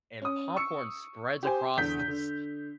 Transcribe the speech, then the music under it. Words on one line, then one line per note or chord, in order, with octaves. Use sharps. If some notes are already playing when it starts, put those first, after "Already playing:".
and popcorn spreads across this
C#4 D#6
C#6 E6 C#7
G4 C5 G#5
E2 D3 G6 B6
D3